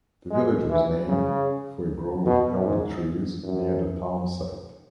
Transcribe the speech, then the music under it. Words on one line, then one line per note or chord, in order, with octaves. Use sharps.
The village was named for a grove of elder trees near the town site.
G#3
E3
C#3
B2
G#2
F#2